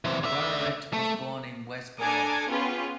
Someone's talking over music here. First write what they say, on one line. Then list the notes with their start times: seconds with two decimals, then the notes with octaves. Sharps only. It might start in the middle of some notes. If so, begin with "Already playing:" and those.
Wowereit was born in West Berlin.
0.05 E3 C4
0.24 D3 E5
0.93 A3
1.99 D4 A4 G#5 A#5 D6 D#6
2.49 B3 C#4 F4 G4 G#4 B4